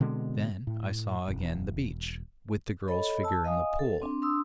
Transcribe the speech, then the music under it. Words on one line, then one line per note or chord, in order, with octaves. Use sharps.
Then I saw again the beach, with the girl's figure in the pool.
B2 D3 G#3 C4
A2
E1
A4 C#5 D#5 B5
A5 E6
D#5 F5 G#5 D#6
A4
C4 D4 C6
D4 C6 D#6 E6